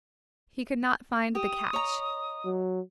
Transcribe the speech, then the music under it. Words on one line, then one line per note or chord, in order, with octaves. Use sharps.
He could not find the catch.
G4 D#6
C#5 D#5 A#5
F#3